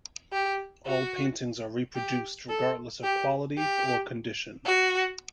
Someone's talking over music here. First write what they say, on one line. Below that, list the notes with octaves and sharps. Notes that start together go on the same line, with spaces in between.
All paintings are reproduced regardless of quality or condition.
G4
F#4
G4
A4
G4
G4
F#4